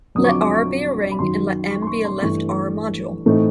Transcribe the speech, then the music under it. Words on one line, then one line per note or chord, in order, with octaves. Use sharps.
Let "R" be a ring, and let "M" be a left "R"-module.
F2 D3 F#3 D#6
C#6
D6
D6
C#6
B5
F#2 D#3 F#3 C6
C#6
C6
C#6
C6
G2 E3 A3 C#6
A2 E3 A3 C4 D#4